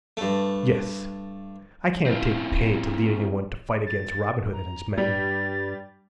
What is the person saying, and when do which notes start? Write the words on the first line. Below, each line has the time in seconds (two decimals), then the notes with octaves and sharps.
"Yes, I can't take pay to lead anyone to fight against Robin Hood and his men."
0.17 G2 A3
2.06 C4 E4 F4
3.86 A6
4.53 A#5
4.98 G2 G3 A6